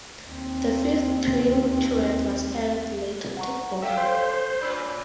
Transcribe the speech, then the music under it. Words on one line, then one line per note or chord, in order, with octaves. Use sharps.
The fifth twin turret was added later to only.
D#2 C4
F#5 A#5 C#6
C#4 G4 A4 E5 F5 G5
C5 C6
A2 C#4 D4 D5 B5 E6